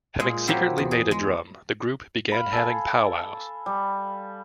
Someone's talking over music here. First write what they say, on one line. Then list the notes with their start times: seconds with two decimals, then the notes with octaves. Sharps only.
Having secretly made a drum, the group began having powwows.
0.19 A#2 G#3 G#4
0.47 F#3 E4 F4 G4 C5
0.78 E2
0.91 G#4
1.11 G#3
2.32 F5 B5
2.52 A4 G#5
3.66 G3